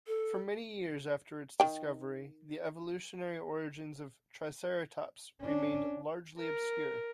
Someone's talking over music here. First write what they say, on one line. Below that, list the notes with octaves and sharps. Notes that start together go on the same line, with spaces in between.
For many years after its discovery, the evolutionary origins of "Triceratops" remained largely obscure.
A4
D#3 G5
C#4 D4
A#4